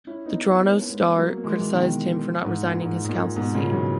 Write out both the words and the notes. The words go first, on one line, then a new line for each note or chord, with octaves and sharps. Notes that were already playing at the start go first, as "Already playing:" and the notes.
The "Toronto Star" criticized him for not resigning his council seat.
C#4 E4
B3 D#4
B3 D#4
B3
A#3 C#4
G#3 B3
F#3 A#3
A#3
E3 G#3
E3
B2 D#3
G#2
A#2
G#2
G#2
A#2
G#2 B2
B2
A#2 C#3
F#3
C#3 E3